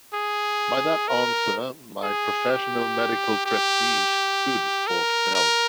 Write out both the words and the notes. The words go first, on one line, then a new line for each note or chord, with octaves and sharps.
By that answer my professional medical prestige stood or fell.
G#4
A#4
G#4
G4
G4
A#4
A#4